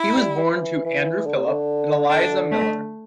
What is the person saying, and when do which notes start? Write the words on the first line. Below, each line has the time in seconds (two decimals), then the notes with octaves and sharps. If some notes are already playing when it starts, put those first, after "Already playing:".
He was born to Andrew Philp and Eliza Miller.
Already playing: E4
0.17 G3
0.37 G3
0.44 E3
0.85 E3
1.26 D3
1.36 C3
1.46 D3
2.09 D4
2.51 A3